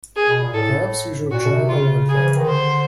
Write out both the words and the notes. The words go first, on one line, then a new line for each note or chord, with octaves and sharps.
Perhaps we should join a wine club.
G#4
B2
A#2
A2 A4
A#2 F#4
B2
C3
C#3 F4
G#4
F3
E3
D#3
D3 C5